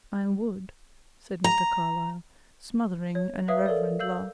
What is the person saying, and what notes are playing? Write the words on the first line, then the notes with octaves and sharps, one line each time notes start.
"I would," said Mr. Carlyle, smothering an irreverent laugh.
A#5
C#5
B4 C#5 E5 F5 D#6
A4 A#4 C#5 D5
F5 E6 G6 F#7